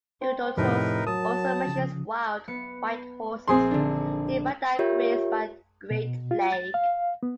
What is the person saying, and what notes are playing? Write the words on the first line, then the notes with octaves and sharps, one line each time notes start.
Herodotus also mentions wild white horses nearby that grazed by a great lake.
C5 G5 C6
F2 A2 C3 D#4 A#4 B4
F#3 A#4 A5 D#6
C#3 F3
B3 C#7
A#1 C4 G#4 C6
D3 D4
F4 G4 A#4 C#5 E5
B2
F4
A6
F5
B3